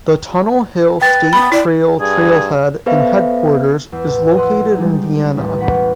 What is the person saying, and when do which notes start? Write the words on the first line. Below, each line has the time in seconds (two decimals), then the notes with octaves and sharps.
The Tunnel Hill State Trail trail-head and headquarters is located in Vienna.
1.02 B4 G5 A6
1.33 B3 B5
1.52 E4 D5
2.00 G2 G#4
2.86 B3 A4 B4 C5 E5 F5
3.92 E2 E6 C7
4.07 A1
4.36 F3 D#5 F#5 C6 E6
4.76 G3 G#3 D#4
5.37 A1 D#2 D#5
5.60 E1 E2 C#4 E4 F#5 B6